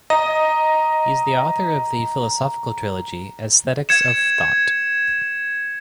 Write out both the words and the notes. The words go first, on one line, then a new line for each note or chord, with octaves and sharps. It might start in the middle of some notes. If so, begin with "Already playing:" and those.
He is the author of the philosophical trilogy "Aesthetics of Thought".
D#5 A#5
G#6 C#7 E7